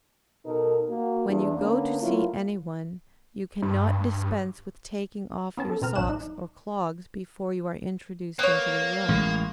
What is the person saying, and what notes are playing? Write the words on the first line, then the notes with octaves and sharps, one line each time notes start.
When you go to see any one, you cannot dispense with taking off your socks or clogs before you are introduced into the room.
B2 D#4 A4 A#4
A#3 F#4
E2 D4
D3 A#3 B3 C#4 D4
F#3 A3 A#3 E4 F4
G2
B3 C#4 A5
A4
B2 C4 A#5 F6
A1 F#2 D4 F#6 E7
D#4
A#3 B3 C#5
A1 G#3